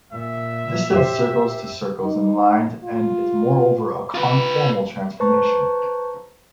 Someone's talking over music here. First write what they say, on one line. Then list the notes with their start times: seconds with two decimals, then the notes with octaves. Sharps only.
This sends circles to circles and lines, and is moreover a conformal transformation.
0.13 A#2 E5
0.92 G4 C5
2.03 D#4
2.85 F4
4.15 F4 B4
5.20 B4 C5 A5 A#5 C#6